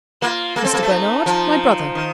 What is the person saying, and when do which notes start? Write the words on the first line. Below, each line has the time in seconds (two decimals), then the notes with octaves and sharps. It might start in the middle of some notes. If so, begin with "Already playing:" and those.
Mr. Bernard--my brother.
0.21 A#3 F4
0.56 A#3 A4
0.64 C4
0.74 A#3
0.83 A3
0.91 D#4
1.26 F3
1.95 D#3